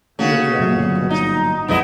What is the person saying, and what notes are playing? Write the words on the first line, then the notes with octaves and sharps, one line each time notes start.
We looked round in perplexity.
C#3 A3 A#3 F#4
A#2 F#3 A3
G1 A#2 F#3
D#4
B1 F2 G#3 B3 E4 D#5